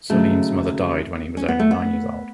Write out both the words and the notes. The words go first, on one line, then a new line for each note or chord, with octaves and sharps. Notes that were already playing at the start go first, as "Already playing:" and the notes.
Salim's mother died when he was only nine years old.
D#2 C#3 F#3 A3
C#4
B3
A3
B3